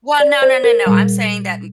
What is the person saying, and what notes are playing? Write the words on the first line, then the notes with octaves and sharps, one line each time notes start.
well, no, no, no, no, I'm saying that
D5
C5
A#4
A#2 G3